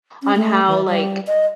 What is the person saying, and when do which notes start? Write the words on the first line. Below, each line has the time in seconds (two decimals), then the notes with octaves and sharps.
on how like,
0.22 C#4
0.35 A3
0.68 E3
0.87 G3
1.27 D#5